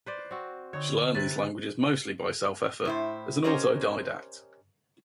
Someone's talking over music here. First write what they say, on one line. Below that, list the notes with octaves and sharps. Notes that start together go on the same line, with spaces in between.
She learned these languages mostly by self-effort, as an autodidact.
B4 C5 D5
C4 F#4
D3 C4 D#4 C#5
C3 B4 A6
A2 E4 C5
C#4 G4 A#4 C5 C#5 D#5